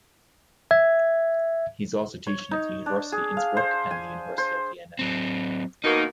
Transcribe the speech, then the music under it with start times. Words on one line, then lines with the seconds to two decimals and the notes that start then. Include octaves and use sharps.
He is also teaching at the University Innsbruck and the University of Vienna.
0.71 E5 G#6
2.27 C#5
2.51 D#4
2.86 D4
3.12 G#4
3.37 F5
3.57 C5
3.91 G#5
4.38 C5
4.99 F#3 C4
5.84 B2 D#3 A#3 D#4